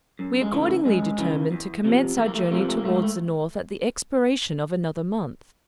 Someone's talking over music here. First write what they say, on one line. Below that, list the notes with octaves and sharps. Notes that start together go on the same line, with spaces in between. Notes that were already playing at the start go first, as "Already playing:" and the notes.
We accordingly determined to commence our journey towards the north at the expiration of another month.
F#2
G#3
C#3 E3
A3
F#2 G#3
C#3 E3
E2
C3 F3
E2 A3
A#3
A3
A#3
C3 F3 A3
A#3
A3
A#3
G#2 A3
A#3
A3